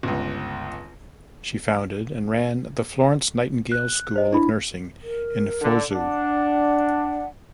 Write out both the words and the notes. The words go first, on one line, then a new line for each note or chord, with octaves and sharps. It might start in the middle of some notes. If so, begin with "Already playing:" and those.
She founded and ran the Florence Nightingale School of Nursing in Fuzhou.
G1 C#2
F#6
C5 D#5
D4 E4 B5
A#4
D3
D4 F#5